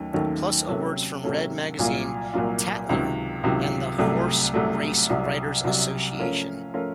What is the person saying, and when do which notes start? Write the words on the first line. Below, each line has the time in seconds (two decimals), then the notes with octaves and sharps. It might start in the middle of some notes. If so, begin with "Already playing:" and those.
Plus awards from "Red" magazine, "Tatler" and the Horserace Writers' Association.
Already playing: D#2 D#3 F#3 A3 C#4
0.13 D#2 D#3 F#3 A3 C#4
0.69 C3 F#3 A#3 C#4 A4
1.23 C3 F#3 A#3 C#4 A4
1.79 C2 A#2 F#3 A#3 F4
2.34 C2 A#2 F#3 A#3 F4
2.89 C#2 C3 D#3 F#3
3.43 C#2 C3 D#3 F#3
3.99 C2 C3 F#3 A3
4.54 C2 C3 F#3 A3
5.10 C2 C3 F#3
5.64 C2 C3 F#3
6.19 F3 A3 C#4 F4 A#4
6.74 F3 A3 C#4 F4 A#4